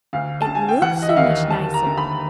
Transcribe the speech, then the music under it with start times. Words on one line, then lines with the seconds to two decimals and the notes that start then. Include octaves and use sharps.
It LOOKS so much nicer.
0.13 D2 F5
0.42 A5
0.47 D3
0.55 G#5
0.69 G5
0.82 E3 F#5
1.02 D#5
1.09 E5
1.16 D#2 F5
1.50 D2 A5
1.74 A#5
1.86 D3
1.98 B5